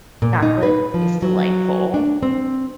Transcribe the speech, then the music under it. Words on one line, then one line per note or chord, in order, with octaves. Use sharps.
Chocolate is delightful.
A#2
D#4
B4
F3
F#3
D4
C4